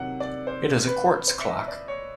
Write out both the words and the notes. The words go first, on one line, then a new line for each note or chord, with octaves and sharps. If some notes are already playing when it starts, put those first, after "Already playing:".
It is a quartz clock.
Already playing: C3 D#3 F#3 F#5
D5
C5
B4
C5
E5
D#5
D5
C#5